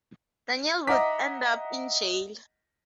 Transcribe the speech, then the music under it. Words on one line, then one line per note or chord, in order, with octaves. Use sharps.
Daniel would end up in jail.
D#5 E5 F#5 A#5 D6 B6